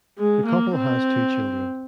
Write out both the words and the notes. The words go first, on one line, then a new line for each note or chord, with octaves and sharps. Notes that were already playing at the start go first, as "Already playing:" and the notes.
The couple has two children.
G#3
A#3
C4